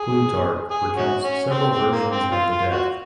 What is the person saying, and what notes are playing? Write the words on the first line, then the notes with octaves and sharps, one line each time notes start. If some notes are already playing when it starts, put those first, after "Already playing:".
Plutarch recounts several versions of the death.
Already playing: G#4
G#4
C#4 F#4
C#4
C4
C4
A#3
C4
F4
F4
F#4